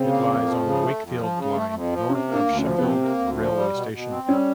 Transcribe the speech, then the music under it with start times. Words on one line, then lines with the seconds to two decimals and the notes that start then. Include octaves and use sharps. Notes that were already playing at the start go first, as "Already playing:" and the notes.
It lies on the Wakefield Line north of Sheffield railway station.
Already playing: C#3 C4
0.09 A#3
0.27 F2
0.46 F3
0.63 C#3
0.83 A3
1.01 F2
1.19 F3
1.36 C#3
1.54 A3
1.74 F2
1.92 F3
2.09 C3 C#4
2.28 A#3
2.33 D4
2.46 D2
2.59 C#4
2.64 F3
2.79 B3
2.83 C3 C4
3.01 A#3
3.19 D2
3.37 F3
3.56 G3
3.74 B2
3.92 B2
4.10 C4
4.28 G3 C#4